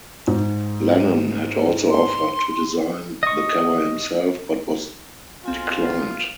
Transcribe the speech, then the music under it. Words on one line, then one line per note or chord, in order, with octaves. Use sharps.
Lennon had also offered to design the cover himself, but was declined.
G#2
C6
D#5 C#6
B1 C4 F4 G#5